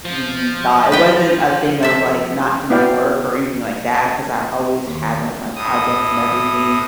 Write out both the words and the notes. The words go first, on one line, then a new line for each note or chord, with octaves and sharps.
we thought. It wasn't a thing of, like, not doing work or anything like that, 'cause I always had, like, my projects and everything
F3
B4 G5
A4 E5
B3 E4 F#4 D5 F5 G5
D#2
A2 D#6